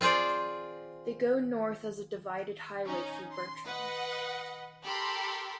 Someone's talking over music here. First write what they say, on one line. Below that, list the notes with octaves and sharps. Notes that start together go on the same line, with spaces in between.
They go north as a divided highway through Bertram.
C4 F4 G#4 C5 D5
C#4 D#4
C6
B4 D#5 F#5
G4 A4 A#4 B5 C6